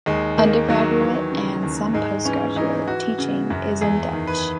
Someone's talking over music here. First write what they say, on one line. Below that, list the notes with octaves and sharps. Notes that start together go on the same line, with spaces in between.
Undergraduate and some postgraduate teaching is in Dutch.
D#2 G#3
D#3 A#3
D#3 F#3
E3
C#3
D#2
G#2 G#3
E3 C#4
E3 D#4
E3 F#4
C#3
F#2
E2 G#4
D#3
B4